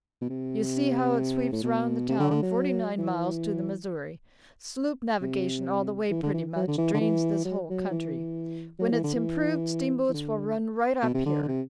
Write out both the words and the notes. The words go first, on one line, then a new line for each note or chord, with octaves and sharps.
You see how it sweeps round the town--forty-nine miles to the Missouri; sloop navigation all the way pretty much drains this whole country; when it's improved steamboats will run right up here.
B2
C3
A2
B2
C3
D3
D3
F#3
E3
C3
E3
D3
E3
F#3
D3
E3
D3
E3
F#3
F#3
E3
F#3
E3
D3
E3
E3
D3
B2
C3
D3
D3
C3